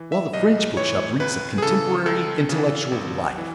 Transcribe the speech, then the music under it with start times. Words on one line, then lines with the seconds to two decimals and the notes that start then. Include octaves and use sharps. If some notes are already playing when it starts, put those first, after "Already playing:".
While the French bookshop reeks of contemporary intellectual life!
Already playing: E3
0.12 E5
0.33 B1 D#5
0.77 A2 E3 C#5
1.20 C#2 B4
1.58 G#4
1.62 C#3 E3 A4
2.06 C#2 A4
2.49 C#3 E3
2.92 G#1
3.38 E3